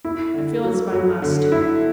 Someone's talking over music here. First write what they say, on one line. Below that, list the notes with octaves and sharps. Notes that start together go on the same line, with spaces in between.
I feel as if I must.
E4
D3
F#3
F#3
D3
E4